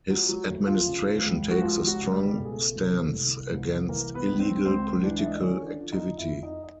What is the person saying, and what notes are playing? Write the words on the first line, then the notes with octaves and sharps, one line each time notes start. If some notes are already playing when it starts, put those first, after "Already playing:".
His administration takes a strong stance against illegal political activity.
F3 F#3 F#4
F#3 F#4
D2
F3 F4
C#3
C#2
F#4
C#2 F3 F4
F#3 F#4
C#3
G3 G4
B2 A4
G#4
A3 A4
C2
C2
C2
E3 A#3 A#4
B3 B4
C#2
C4 C5
C#2 C4 C5
E3 D4 D5
E5
D#5
D5
D3 C#4 C#5
D4 D5
F3
D#4 D#5
F2 E4 E5
D#4 D#5
D#5